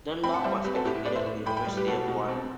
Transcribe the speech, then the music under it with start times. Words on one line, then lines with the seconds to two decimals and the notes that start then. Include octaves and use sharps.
Dunlop was educated at the University of Waterloo.
0.23 C4 G5 B5
0.34 F#5 A5
0.44 G3 C5 E5
0.64 C4 G4 B4
0.75 F#4 A4
0.85 A2 E4 G4
0.95 E4
1.05 A2 B4 D5
1.15 C5 E5
1.26 A2
1.46 A2 G5 B5
1.56 G5 B5
1.66 G3
1.77 G4 B4
1.87 B2 F#4 A4
2.08 B2
2.29 C4